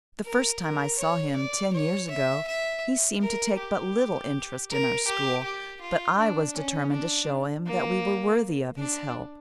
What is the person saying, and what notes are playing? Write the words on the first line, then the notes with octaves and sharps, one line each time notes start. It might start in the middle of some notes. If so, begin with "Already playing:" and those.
The first time I saw him, ten years ago, he seemed to take but little interest in our school, but I was determined to show him that we were worthy of his help.
A#4
A#4
C#5
D5
C#5
E5
E5
A#4
G4
A#4
G4
G4
F4
D4
C#4
D4
A#3
D4